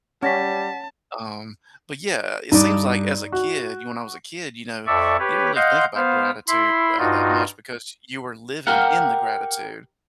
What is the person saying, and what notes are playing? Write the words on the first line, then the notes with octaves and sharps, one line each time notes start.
Um, but, yeah, it seems like as a kid you know, when I was a kid, you know, you didn't really think about gratitude, uh, that much because you were living in the gratitude.
G3 C#4 F#5 A5 A#6 B6
G2 D#4 D5
F#4
F2 A4 D5 E5 C#6
G4 B4 C#5
D#5 F5 F#5 C6 G6
B3 C5 F5
E4 B5 C6
G2 D#4 F4 F#4
G4 A#4 F5 F#5